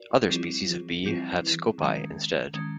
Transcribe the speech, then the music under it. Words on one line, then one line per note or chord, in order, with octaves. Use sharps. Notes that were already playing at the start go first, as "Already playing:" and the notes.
Other species of bee have scopae instead.
Already playing: F#4 A#4 D5
F3 G3 C4 E4 G#4
F3
F3 G3 C4 E4 G#4
E3
D#3 F#3 G#3 C#4
D#3 G#3 C#4